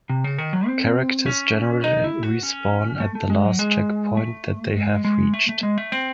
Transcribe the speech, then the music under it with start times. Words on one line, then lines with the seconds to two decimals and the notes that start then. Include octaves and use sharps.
Characters generally respawn at the last checkpoint that they have reached.
0.10 C3
0.24 C#3
0.38 D#3
0.53 F#3
0.67 C4
1.26 C#4
1.84 D#4
2.04 E4
2.23 F#4
2.43 C#4
3.00 A3
3.15 A3
3.30 G#3
3.45 F#3
3.59 G#3
4.17 A3
4.76 G#3
5.05 G#3
5.34 A3
5.49 A3
5.63 G#3
5.78 A3
5.92 C4